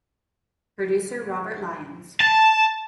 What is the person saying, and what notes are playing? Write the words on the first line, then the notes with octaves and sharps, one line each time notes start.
Producer Robert Lyons.
A5